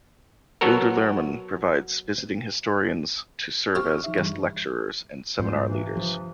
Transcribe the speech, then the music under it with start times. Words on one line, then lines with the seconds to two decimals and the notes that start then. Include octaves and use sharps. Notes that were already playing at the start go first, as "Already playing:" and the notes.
Gilder Lehrman provides visiting historians to serve as guest lecturers and seminar leaders.
0.61 F#3 B3 F#4 A4 A#4
3.75 C4 F4 G4 C#6 F6
4.04 F3 D#4 E5
4.18 G2 E3
5.39 G#2 G3 F4 C5
5.68 G2 C3 E3
5.97 F3